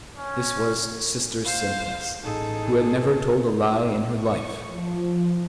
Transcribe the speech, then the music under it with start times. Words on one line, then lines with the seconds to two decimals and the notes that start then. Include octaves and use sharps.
This was Sister Simplice, who had never told a lie in her life.
0.17 C#4
1.44 C5 F5
2.23 A1 D#4 G#4 A4
4.13 C#6
4.67 F3